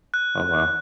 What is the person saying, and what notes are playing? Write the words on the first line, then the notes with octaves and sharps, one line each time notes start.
oh, wow."
F#6